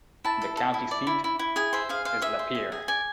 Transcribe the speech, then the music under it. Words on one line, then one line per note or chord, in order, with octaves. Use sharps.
The county seat is Lapeer.
E4 A5
A4
A4
E4
D5
E4
E4
E4
G#4 G#5
C5 E5
G#4 F5
C5 F5
G#4 E5
C5
G#4
G#4
D5 G#5